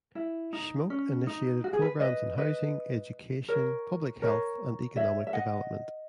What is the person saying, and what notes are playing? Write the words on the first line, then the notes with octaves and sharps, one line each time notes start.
Schmoke initiated programs in housing, education, public health and economic development.
E4
D#4
C#4
D#4
F#4
G#4
B4
B4 D#5
B4 D#5
A#4 C#5
A#4 C#5
C#5 E5
E5
D#5 F#5